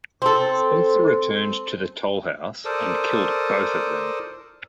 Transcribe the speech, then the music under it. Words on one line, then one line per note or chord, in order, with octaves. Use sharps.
Spencer returned to the toll house and killed both of them.
C4 A4
A4 A#4 C5 D5 A5 D#6